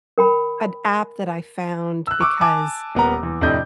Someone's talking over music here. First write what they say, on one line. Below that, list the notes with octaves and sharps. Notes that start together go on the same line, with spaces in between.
an app that I found because
A#4 G5 B5
E6 F#6
C#6 D6 E6
G#5 A5 D6 F#6
D#1 B3 A#4 A#5
E2
F2 A2 C3 D4 D#5 G6